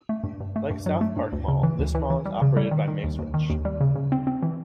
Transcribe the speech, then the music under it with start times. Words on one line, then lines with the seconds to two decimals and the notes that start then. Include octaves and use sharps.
Like SouthPark Mall, this mall is operated by Macerich.
0.09 A3
0.24 G2
0.40 G2
0.56 A3
0.71 G2
0.86 F#3
1.01 A3
1.17 G2
1.33 D2
1.48 C#3
1.63 E3
1.79 D2
1.95 E3
2.10 E3
2.25 G3
2.42 C#3
2.57 G3
2.71 D#3
2.88 D#3
3.04 D#2
3.19 D#2
3.34 D#3
3.50 D#2
3.65 G3
3.80 C#3
3.96 C#3
4.12 C4
4.27 C4
4.43 E3